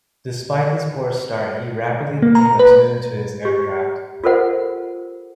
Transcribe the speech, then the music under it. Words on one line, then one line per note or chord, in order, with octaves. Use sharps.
Despite this poor start, he rapidly became attuned to his aircraft.
A#3
A#5
B4
G4
F4 A4 A#4 C5 F#5